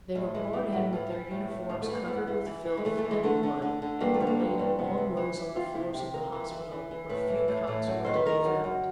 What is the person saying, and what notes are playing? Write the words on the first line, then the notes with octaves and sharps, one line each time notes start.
They were brought in with their uniforms covered with filth and blood, and were laid in long rows on the floors of the hospital where few cots were to be found.
A2 G3
E3 G#3
E3 G3
A2 F#3
E3 F3
E3
A2
A2
G#2 F3
A3
E3
A#3
G#2 B3
E3
E3
E3
G#3
E3 A3
A3
E3
G#3
D3 A3
D3
D3
D3
G2 A#3
A3
D3
A#3
G2
G2
C3 B3
E3
E3
E3
F2 F4
C3 E4
C3 G4
F2 A#4
E3
E3
E3
E3
A2 B4
E3
A2
A2
F#2
D#3 C5
B4
D#3 A#4
F#2
F#2